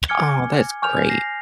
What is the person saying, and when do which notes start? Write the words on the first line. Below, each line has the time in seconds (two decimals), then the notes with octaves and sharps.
Aw, that's great.
0.08 G#5 D6 F6 G#6 C#7 G7
0.83 G#5 F6 G6 F7
1.10 A#6 C7